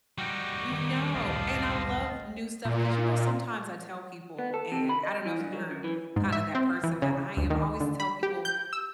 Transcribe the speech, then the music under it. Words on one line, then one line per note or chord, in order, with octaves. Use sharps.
no, and I love new stuff 'cause, you know, sometimes I tell people, and I don't know if you're kinda that person, but I am always tell people
G3 D#4 F#4 G5 C#6
D#3 B3
D1 A#1 D#5 F5 A5
A#2
B3
A4
C3
B5
D#5
E3
G2
F#3
F#2
E3
G#2
E5
C4
E3
C#3
D2
D#3
D3
B5
G4
G6
E6